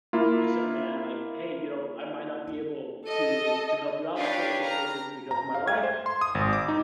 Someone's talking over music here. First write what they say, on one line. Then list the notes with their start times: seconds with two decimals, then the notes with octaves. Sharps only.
this young man like, "Hey, you know, I might not be able to to help you out in certain situations because of my wife.
0.13 A#3 E4 F4
3.05 A4 D#5
4.17 D4 G4 B4 C#5 F5
4.66 A#5 F6
5.31 A#5
5.54 F5
5.68 G#6
5.83 C5
6.06 C6
6.21 D#6
6.35 G#1
6.53 D6
6.69 D#4